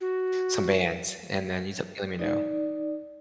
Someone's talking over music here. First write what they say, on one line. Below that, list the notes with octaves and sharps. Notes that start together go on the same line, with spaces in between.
some bands, and then you just let me know.
F#4
D#4 D5